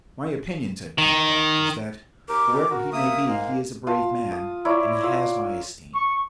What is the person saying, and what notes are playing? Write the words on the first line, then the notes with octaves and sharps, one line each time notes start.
"My opinion," said Pencroft, "is that, whoever he may be, he is a brave man, and he has my esteem!"
D#3
D#2 A#4 D6
B2
F#4 A#4
A#3 E5 D#6
G#2 G#3 A#3 F5
F4 A5
D#6
E4 A#4 C#5 D5
F4 E6
C#6